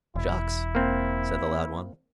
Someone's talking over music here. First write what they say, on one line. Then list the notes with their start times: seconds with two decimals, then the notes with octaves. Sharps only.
"Shucks!" said the loud one.
0.16 E1 E4
0.75 A#3 C4